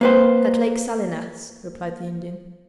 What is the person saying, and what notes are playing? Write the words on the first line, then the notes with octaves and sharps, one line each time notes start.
"At Lake Salinas," replied the Indian.
A#3 B4 C5